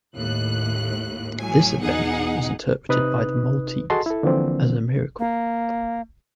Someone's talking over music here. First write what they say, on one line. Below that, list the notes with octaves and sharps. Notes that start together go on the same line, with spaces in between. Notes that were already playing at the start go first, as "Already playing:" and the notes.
This event was interpreted by the Maltese as a miracle.
D#2 A2 F#6
A2 F#3 G#5
E2 B2 D#4 G#4 F#5
C3 D#4 B4 D#6 F#6
F#4 G#4 A4 D#5 A5 C6
E4 A4
D3 E3 F3 A#3 C4
A#3